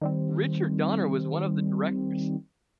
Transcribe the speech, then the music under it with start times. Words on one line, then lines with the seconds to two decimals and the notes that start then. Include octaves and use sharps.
Richard Donner was one of the directors.
0.01 D#3 G3 C4